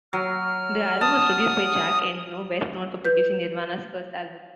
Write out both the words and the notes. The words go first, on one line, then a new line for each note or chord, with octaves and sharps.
The album was produced by Jack Endino, best known for producing Nirvana's first album.
F#3 F6
A5 D#6
B4 G6